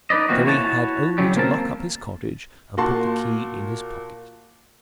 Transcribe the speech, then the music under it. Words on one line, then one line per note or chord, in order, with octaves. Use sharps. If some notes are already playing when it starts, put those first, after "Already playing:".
So he had only to lock up his cottage and put the key in his pocket.
D#4 B4 D5 D#5
A#2 E3 A#3 C4 F#4
E4 F#4 C#5 G#5 A5
C#3 F#3 G3
A#3 C4 A#4 A5
A#2 F#4 A5 C6